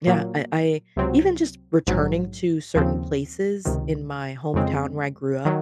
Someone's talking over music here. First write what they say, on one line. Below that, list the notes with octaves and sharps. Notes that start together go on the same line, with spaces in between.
yeah, I I even just returning to certain places in my hometown where I grew up,
A#2 F#3 A#3
C#2 C3 F#3 C4
A#1 G#2 F#3
D#2 C#3 F3 C4
C#2 C3 D#3
F2 C#3 G#3 C4
D#3 F#3